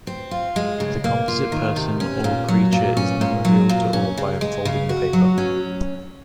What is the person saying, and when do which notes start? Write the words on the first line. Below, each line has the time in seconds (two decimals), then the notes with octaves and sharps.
The composite person or creature is then revealed to all by unfolding the paper.
0.07 C4
0.31 F4
0.56 G#3
0.80 C#3
1.04 A#3
1.28 F4
1.52 D#3
1.76 C3
2.00 C#4
2.24 A#2
2.48 F#3
2.73 A#2
2.97 C#4
3.21 A#2
3.45 F#3
3.69 A#2
3.93 C#4
4.18 C#3
4.41 G#3
4.65 C#3
4.89 F#4
5.13 F#3
5.38 C#4